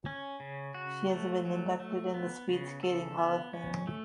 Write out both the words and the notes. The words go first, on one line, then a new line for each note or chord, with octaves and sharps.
She has been inducted in the Speed Skating Hall of Fame.
C#4
C#3
F#4
A3
F#3
A3
B3
C#3
A4
B3
C#4
A3